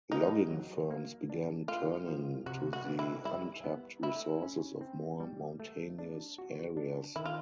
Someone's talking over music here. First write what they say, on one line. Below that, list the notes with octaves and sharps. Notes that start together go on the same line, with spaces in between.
Logging firms began turning to the untapped resources of more mountainous areas.
A#3 D#4
F#3
A#3
D4
A3 F4
F3
C3 F#4
F#4
B3
E4
G3 E4
B3
A3 E4
C#4
C4
G3
A3
D4
F#4
D4
D#3 E4
F4